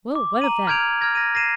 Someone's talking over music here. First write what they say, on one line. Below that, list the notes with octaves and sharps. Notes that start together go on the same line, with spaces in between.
"Well, what of that?"
D6
A#5 D#7 F#7
F6 G6 G#6 D7 F7
F6 G6 G#6 A#6
A#6 D#7
A#6 C7 D#7 E7